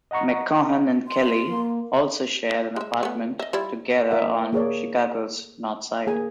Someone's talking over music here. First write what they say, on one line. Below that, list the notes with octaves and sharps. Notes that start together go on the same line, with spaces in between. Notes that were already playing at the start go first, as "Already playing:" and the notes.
McCaughan and Kelly also shared an apartment together on Chicago's north side.
D#5 F#5 A#5 C#6
C6
A#3
G#3 E5
A3 B3
D#5 E5
G3 E4 F4
A#3 A#4 E5 F#5
A#3 G#4 C#5 D5
A#3 G#4 G#5